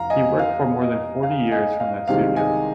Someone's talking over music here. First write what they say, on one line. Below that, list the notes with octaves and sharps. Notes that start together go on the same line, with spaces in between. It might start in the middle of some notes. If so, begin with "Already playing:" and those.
He worked for more than forty years from that studio.
Already playing: F1 F5 A#5
D#5 G#5
F5
D#5
F5
D#5 G#5
F5
C2 C3 D#3 G#3 F5
D#5 G#5